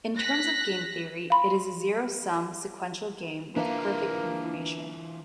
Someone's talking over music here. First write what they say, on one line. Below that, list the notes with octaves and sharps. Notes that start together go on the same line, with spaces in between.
In terms of game theory, it is a zero-sum, sequential game with perfect information.
F#6 A#6 B6
F5 B5 C6
E3 A#3 D4 F4 B4 E5